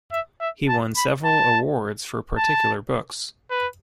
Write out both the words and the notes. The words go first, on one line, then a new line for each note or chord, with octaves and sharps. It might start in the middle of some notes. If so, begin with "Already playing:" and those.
He won several awards for particular books.
E5
E5
A5
B5
A5
A5
B4